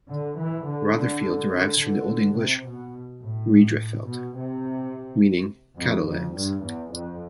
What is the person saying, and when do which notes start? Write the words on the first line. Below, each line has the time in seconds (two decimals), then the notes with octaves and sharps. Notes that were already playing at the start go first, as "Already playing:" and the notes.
Rotherfield derives from the Old English "redrefeld" meaning "cattle lands".
0.09 D3
0.37 E3
0.66 D3
1.80 D3
2.37 C3
2.65 B2
3.22 A2
4.07 B2
4.36 C3
5.78 F2
6.07 F2
6.35 G2
6.63 E2
6.92 F2